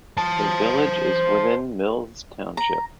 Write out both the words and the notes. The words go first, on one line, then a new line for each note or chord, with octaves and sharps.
The village is within Mills Township.
C5 A5
A#5